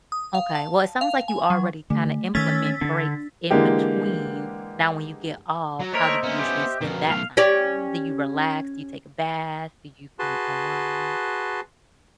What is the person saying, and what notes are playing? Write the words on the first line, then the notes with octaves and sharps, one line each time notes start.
Okay. Well, it sounds like you already kinda implement breaks in between. Now when you get off, how do you usually spend that time? Do you relax? Do you take a bath? Do you kinda unwind?
D#6
F5
A5
F5
G#5
F#3
D3 A3
D#3 A3 C#4 E6 A6 B6
D3 C4 D4
D3 E3 G#3 A#3 G4
F#3 A#5
A3 A#3 A#4 C5 C#5 D#5 E5
A#3 B3 C#4
G4
F2 B2 A#4
B1 A3 F5
C#4 G4 D5
F#4 G#4 B4 A5 C6